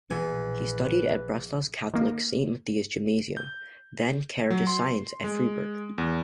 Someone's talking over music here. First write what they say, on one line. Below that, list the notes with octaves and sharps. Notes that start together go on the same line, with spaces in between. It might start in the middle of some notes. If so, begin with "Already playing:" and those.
He studied at Breslau's Catholic St.-Matthias-Gymnasium, then Caritas Science at Freiburg.
A#1 E2 B2 E3 B4 G#5
D#3 A#3
G6
F#3
C6
G#3
E2